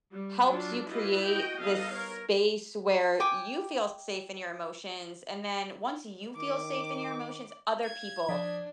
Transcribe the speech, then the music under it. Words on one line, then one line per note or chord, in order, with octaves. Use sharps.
helps you create this space where you feel safe in your emotions, and then once you feel safe in your emotions, other people
G3
F#3 D4 F4
E4 F4 G4 B4 D#5
F#4 D#5 G5
G3 B3 D#4 A4 D#5 F5
A#4 C#5
G5 G#5 D6
D#3 D6
F5 G#6
F3 D4 D5 D#6 B6